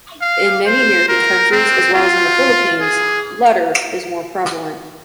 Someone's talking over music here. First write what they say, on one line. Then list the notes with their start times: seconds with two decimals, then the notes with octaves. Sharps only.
In many American countries as well as in The Philippines, 'Letter' is more prevalent.
0.21 F5
0.66 C5
1.08 A#4
1.52 C4
1.94 F4
2.81 G#4